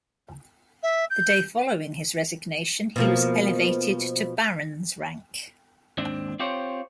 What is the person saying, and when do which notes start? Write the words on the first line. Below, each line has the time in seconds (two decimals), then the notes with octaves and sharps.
The day following his resignation, he was elevated to barons' rank.
0.83 E5
1.10 G6
2.96 B2 F3 A#3
5.98 D#2 G#2 C4 D4
6.39 C4 F4 G4 C5 C#5